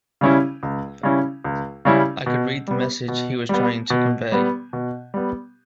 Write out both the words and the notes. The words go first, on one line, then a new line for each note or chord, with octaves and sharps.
I could read the message he was trying to convey.
C#3 G3 C#4 E4
C#2
C#3 G3 C#4 E4
C#2
C#3 G3 C#4 E4
B2
G3 B3
B2
G3 B3
B2
G3 B3
B2
G3 B3